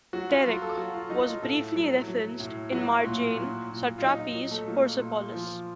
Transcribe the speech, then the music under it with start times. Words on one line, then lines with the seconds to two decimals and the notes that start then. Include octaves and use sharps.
"Derrick" was briefly referenced in Marjane Satrapi's "Persepolis".
0.13 F#3 F#4
0.29 F4
0.45 F#3 F4
0.62 A4
0.78 F#3 F#4
0.94 F4
1.10 F#3 D#4
1.27 F4
1.42 A2 A4
1.75 F#3
2.08 F#3
2.40 A2
2.72 F#3 F#4
3.05 A#2
3.38 F#3
3.70 A#2
3.98 F4
4.02 F#3 D#4
4.19 D#4
4.35 F#3
4.51 A3
4.68 F#3 A#3
4.99 A#2
5.33 F3